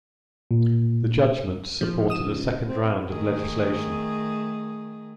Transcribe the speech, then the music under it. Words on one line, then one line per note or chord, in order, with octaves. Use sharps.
The judgments supported a second round of legislation.
A#2
F3
A2
C#2 D#6 E7
C4
D#3 A3 G#4